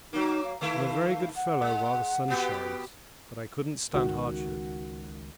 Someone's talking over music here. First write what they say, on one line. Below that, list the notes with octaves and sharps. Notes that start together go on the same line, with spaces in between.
I'm a very good fellow while the sun shines, but I couldn't stand hardship.
F#3 A#3 D#4
F5
D#3 A3 E4 F5
F#5
G#3
B2 B3 G4
C#2 D#3 F#4